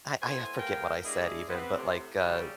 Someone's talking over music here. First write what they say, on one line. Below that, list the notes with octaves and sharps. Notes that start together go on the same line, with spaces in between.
I I forget what I said even, but, like, uh
A2 B3 C5 G#5
G#3 B3 A#4 F5 G5
G#3 D4 E4 G4 G#4 D#5
B3 C4
A2 C3
F#2 C#3 G3